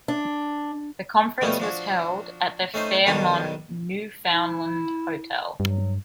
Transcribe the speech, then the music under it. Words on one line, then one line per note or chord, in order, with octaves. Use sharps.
The conference was held at the Fairmont Newfoundland Hotel.
D4
B2 F3 G3 A3 B3 C#4
F3 D4 F#4
A3 C#4 D#4 C5
B1 D#3 G3 D4 F#4 A5
E4
G2 F#3